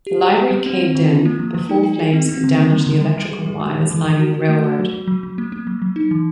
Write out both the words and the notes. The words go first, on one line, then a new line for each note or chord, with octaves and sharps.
The library caved in before flames could damage the electrical wires lining the railroad.
G4
G4
G4
G3
C4
C4
D#3
F4
A#3
F3
F3
D#4
G#4
G#4
C4
C4
D3
A#3
G3
D3
G3
G3
G#4
G3
G#3
E3
E3
E3
F#4
F#4
A3
F#4
F#3
F#3
F#3
F#3
A#3
A#3
F#3
F#3
D#4
E3